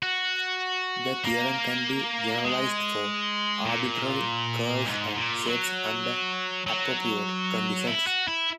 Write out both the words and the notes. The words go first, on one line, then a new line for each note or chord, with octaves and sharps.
The theorem can be generalized for arbitrary curves and shapes, under appropriate conditions.
F#4
A#3
G#3
A#2
G#2
A#2
F#3
F#3
E4
F#4
E4